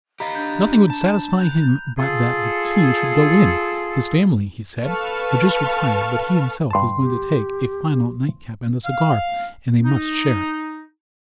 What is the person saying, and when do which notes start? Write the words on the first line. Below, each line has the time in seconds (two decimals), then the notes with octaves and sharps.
Nothing would satisfy him but that the two should go in; his family, he said, had just retired, but he himself was going to take a final nightcap and a cigar, and they must share it.
0.20 G4 D#5 F5 A#5 B5 B6
0.35 D4 G6
0.90 A5
1.38 F#6 G6 F7
1.63 G6
1.98 F4 G#4 A4
4.84 A4 B4 F5 A5 C#6 F6
6.71 D2 G2 A5 C6
7.02 G4
8.85 F5
9.85 D#4